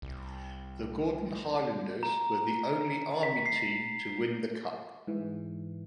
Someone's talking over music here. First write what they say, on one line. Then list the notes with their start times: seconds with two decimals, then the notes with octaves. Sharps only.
The Gordon Highlanders were the only Army team to win the Cup.
0.02 C2
2.03 A#5
3.23 B6
3.46 C7
5.07 G#2 E3